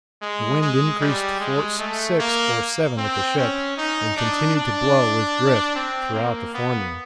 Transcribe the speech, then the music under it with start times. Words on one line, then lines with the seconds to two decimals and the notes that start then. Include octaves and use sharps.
The wind increased to force six or seven at the ship, and continued to blow, with drift, throughout the forenoon.
0.22 G#3
0.61 G#3
1.01 G3
1.40 G#3
1.79 A3
2.19 A#3
2.98 C4
3.38 C#4
3.77 D#4
4.17 D4
4.56 D4
5.75 C4
6.15 A#3
6.54 B3